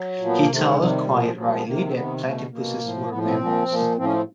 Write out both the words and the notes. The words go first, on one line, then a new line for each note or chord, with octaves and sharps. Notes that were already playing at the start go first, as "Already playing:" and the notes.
He thought, quite rightly, that platypuses were mammals.
Already playing: F#3
A#2 F3
B3
A#3
C3 D#3 A3
G#3
C3 D#3 G3
A#2 F3
A#2 F3 F#3
G3
B3
C3 D#3 A#3
C4
C3 D#3 B3
B2 A3
B2 A#3
A2 F3
A#3
A2 F3 B3
C4
A#2 F3
A#2 F3
A2 F3 C4
C#4
C4